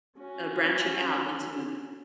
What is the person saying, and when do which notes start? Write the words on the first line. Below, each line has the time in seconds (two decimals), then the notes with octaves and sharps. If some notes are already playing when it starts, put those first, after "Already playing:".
uh, branching out into
0.17 C#4 F#4